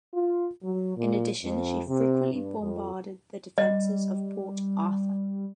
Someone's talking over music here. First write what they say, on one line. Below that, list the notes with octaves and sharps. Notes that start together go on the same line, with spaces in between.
In addition she frequently bombarded the defenses of Port Arthur.
F4
F#3
A#2
F2
C3
G2
F2
G3 D#5